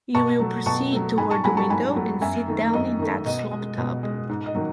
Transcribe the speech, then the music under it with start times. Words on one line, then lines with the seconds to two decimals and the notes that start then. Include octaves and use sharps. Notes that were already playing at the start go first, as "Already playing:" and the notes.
You will proceed toward the window and sit down in that slop-tub.
0.15 B2 A5 C#6
0.40 F#3 A3
0.66 B2 A5 C#6
0.92 F#3 A3
1.18 G#2 G#5 B5
1.31 A5 C#6
1.44 F#3 A3 G#5 B5
1.57 A5 C#6
1.70 G#2 G#5 B5
1.96 F#3 A3
2.21 F#2 E5 G#5
2.48 D#3 A3
2.74 F#2 D#5
2.99 D#3 A3
3.26 B2 D#5
3.51 G#3
3.77 B2
4.03 G#3
4.29 G#2
4.46 D#5
4.55 D#3 F#3